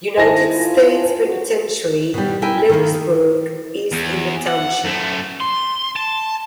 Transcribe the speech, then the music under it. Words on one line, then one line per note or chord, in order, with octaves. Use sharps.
United States Penitentiary, Lewisburg is in the township.
D#3 E4 C5 G#5 A5 A#6
F4
F#4
B2 G3
E4 A#4 G5 G#5
D#3 A#3
E2
F#5
F#2 A3
C6
A5